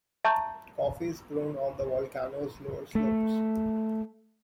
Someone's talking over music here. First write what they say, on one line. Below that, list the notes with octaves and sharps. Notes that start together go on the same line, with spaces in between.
Coffee is grown on the volcano's lower slopes.
E5 A5 A#5 C#6 G6
A3